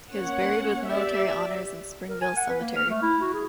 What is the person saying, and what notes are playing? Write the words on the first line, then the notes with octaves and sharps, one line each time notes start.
He was buried with military honours in Springvale cemetery.
A#3 C#4 C#5 F#5
G4 D5 E5
A#4
G#5
F#5
B4
A#3
F6
A3
E4
F#4
G#4